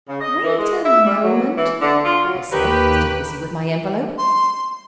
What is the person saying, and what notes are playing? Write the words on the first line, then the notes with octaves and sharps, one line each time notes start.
"Wait a moment," I said, still busy with my envelope.
C#3
D#5
E3
G#3
E5
G3
F#3
E3
D3
F4
F#3
D#2 D#4 G4 A#4 B4 C#5
C6